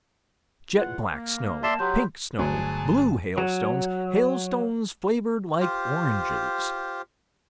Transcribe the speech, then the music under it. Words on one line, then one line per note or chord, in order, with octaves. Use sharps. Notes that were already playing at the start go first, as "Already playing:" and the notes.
Jet-black snow--pink snow--blue hailstones--hailstones flavored like oranges.
E2 F4 F#5
A#3
D5 E5 A5 C6 E7
F#3 G4 B4 C6 G6
G1 D2 F#3 G#4 A5
F#3
F4 G4 C5